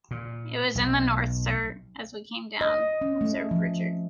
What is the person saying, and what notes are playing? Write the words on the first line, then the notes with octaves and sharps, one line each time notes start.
"It was in the north, sir, as we came down," observed Richard.
A#2
B1
D#5
C#4
A3
F3